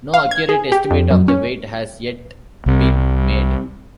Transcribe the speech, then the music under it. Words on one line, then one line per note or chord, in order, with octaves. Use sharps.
No accurate estimate of the weight has yet been made.
F5
G#6
G#4
G4
F2
F#2
C#4
C2